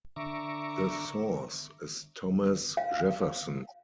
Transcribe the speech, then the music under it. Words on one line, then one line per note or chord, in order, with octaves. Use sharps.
The source is Thomas Jefferson.
D3 E5 A#5 C#6 D6
F5